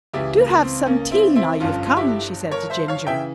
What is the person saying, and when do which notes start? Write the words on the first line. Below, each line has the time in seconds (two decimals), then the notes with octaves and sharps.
"Do have some tea now you've come," she said to Ginger.
0.13 C#2 C#3 E3 E4 G4
0.38 A#3
0.63 C4
0.86 A#3 C#4
1.12 C4 E4
1.36 C4 E4
1.60 G1 G2 F3 C#4 F4
1.86 F4
1.97 E4 G4
2.51 A#4 C#5
2.70 C5 E5
2.88 C#5 F5
3.07 C#3 E3 E5 G5